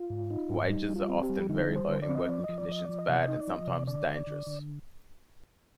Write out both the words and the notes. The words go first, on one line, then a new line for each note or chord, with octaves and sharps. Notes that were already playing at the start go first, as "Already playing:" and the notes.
Wages are often very low and working conditions bad and sometimes dangerous.
Already playing: F4
G#2
D#4
G#2
G3 D#4
G3
F4
C4
G4
G3
D3 D#4
G3
C5
D3
D5
C4
D#5
F3 D5
F3 D#5
D5
F3 D#5
F3 D5
D#5
C3 D5
D#4 D#5
D5
F3
D#5
C3 D5
D3 D5
D3
D3
D3